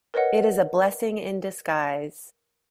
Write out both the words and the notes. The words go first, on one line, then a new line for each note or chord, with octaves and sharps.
It is a blessing in disguise.
A#4 B4 C#5 D#5 F#5